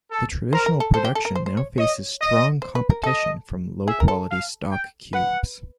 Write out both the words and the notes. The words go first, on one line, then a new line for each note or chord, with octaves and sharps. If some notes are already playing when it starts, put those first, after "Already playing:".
The traditional production now faces strong competition from low-quality stock cubes.
A4
A#4 C5
A#4
A4
A4 C5
G4
A4
A#4
C5
C5
C#5
C#5 D#5
D#5
C5
B4
A#4
A4 D#5
G#4 E5
A#4
A4
F5
G5
B4 F#5